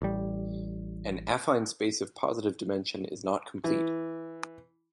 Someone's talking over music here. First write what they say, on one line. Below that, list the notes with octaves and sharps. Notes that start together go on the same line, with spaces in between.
An affine space of positive dimension is not complete.
A1 G3
E3